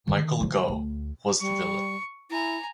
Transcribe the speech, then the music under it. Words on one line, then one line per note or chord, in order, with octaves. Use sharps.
Michael Gough was the villain.
D3 D#3
D3 F3
D2
G3 C#6
E4 G#5 A#5